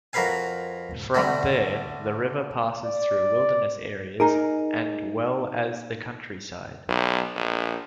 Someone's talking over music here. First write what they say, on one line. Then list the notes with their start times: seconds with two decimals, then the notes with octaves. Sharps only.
From there, the river passes through wilderness areas and well as the countryside.
0.13 F2 F#4 A#4 B4 F5 G#5
1.14 D3 G3 A3 F#4
2.84 D5
4.20 D#4 G#4 A#4
6.88 B1
7.36 A#1